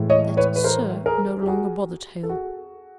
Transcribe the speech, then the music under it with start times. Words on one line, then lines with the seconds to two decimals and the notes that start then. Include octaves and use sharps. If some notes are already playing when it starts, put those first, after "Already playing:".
That "sir" no longer bothered Hale.
Already playing: A2 E3 G#3
0.10 C#5 D#5
0.37 B4 C#5
0.56 B4
0.64 A#4 C5
1.06 G#4 A#4
1.42 G4
1.47 F#4 G#4
2.23 A4
2.29 F#4 G#4